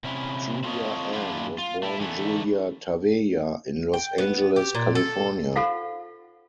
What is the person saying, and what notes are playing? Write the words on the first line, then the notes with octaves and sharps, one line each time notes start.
Julia Ann was born Julia Tavella in Los Angeles, California.
C3 C#4 E4
C4 F4 A4 C#5 D#5
F#2 A#2 D4 E4 F4
F4
A3 E4
D3 E3 A3
G5
B3
G4
A#2
A4
F4 A4 C5 F5 F#5